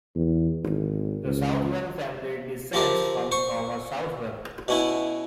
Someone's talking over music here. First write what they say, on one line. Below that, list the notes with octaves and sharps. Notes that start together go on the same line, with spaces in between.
The Southwell family descends from Thomas Southwell.
E2
G#1
C#2
F3 C4 G4 A#4
C5 C#6
B2 C#4 E4